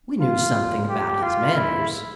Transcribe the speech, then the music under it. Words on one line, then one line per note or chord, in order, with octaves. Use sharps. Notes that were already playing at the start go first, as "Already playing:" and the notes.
"We knew something about his manners."
F4
G4
F4
E4